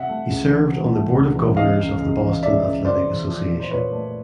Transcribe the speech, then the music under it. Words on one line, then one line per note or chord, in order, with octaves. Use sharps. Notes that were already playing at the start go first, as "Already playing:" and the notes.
He served on the Board of Governors of the Boston Athletic Association.
Already playing: C3 E5 F#5
A3
C#2
E3
C3
A3
C#2
E3
C#3 D#5 F5
C#2
C#2
E3
C#3 D5 E5
C#2
C#2 C5 D5
E3
F3
A#2
C5
A#2 B4 C#5
A3